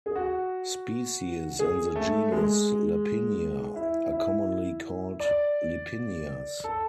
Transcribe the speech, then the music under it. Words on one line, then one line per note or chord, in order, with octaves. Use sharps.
Species in the genus "Lipinia" are commonly called lipinias.
G#4
F#4
G#4
A3
G#3
E4
E4
D5
A4